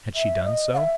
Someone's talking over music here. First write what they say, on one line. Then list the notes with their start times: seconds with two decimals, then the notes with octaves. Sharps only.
Had she done so?
0.15 E5
0.44 D#5
0.73 F#5
0.77 E5